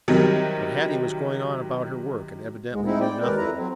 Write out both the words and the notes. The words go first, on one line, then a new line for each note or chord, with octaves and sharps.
But Hattie was going on about her work and evidently knew nothing.
C3 D#3 F#3 G3
D2 G#2 G#3
G#3 C4 D#4 E4
D5 G5
D#2 G#3 A#4 B4 D5
F2 E4 B4 A#5
F#3 C4